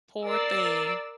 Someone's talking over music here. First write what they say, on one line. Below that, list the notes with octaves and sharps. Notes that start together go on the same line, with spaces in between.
Poor thing,
A#4 D5 E6 A6 C7